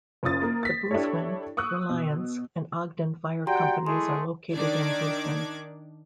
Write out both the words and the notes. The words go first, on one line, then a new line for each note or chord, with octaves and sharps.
The Boothwyn, Reliance, and Ogden fire companies are located in Boothwyn.
F#1 C#4 F4 D#6 A6
A#3 A#4
A6 B6
D4 E4 G4 A4 C#5
C#6 D#6 E6 F#6
B2
F#4 G4 D5 F#5 G5 A#5 C6
G#3 A3 E4 G#4 C6
D#3 D4 D#4 D5 D6 G#6